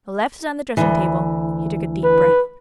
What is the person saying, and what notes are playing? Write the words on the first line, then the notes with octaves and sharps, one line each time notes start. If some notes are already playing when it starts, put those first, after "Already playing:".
"Left it on the dressing-table." He took a deep breath.
D2 G2 E3
B4